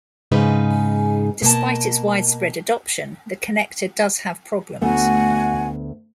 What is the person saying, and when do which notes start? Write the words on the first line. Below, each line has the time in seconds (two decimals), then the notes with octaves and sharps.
Despite its widespread adoption, the connector does have problems.
0.32 G#2 C#3 D#4 B4
1.42 B2 A#3 A5
4.82 D2 A3 B3 F#4 F#5 G#5